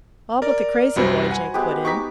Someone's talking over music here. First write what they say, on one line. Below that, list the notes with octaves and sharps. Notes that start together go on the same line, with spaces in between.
"All but the crazy boy," Jake put in.
A#4 D5
C2 F#2 G3 F#4 B4 C5 D#5
F#5 G#5
G#3 B3 G4
D#4 G4 C#6 D6 B6